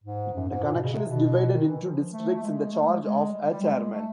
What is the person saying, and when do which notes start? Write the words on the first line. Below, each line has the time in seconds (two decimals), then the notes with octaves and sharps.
The connexion is divided into Districts in the charge of a Chairman.
0.04 G#2
0.33 F#2
0.49 G#2
0.64 A#2
0.74 B2
0.83 C#3
0.93 C3
1.08 B2
1.23 B2
1.53 D#3
1.68 E3
1.83 F3
2.12 A3
2.36 A3
2.42 G#3
2.72 A3
2.87 G#3
3.02 G#3
3.32 G3
3.51 G3
3.62 G#3
3.92 A3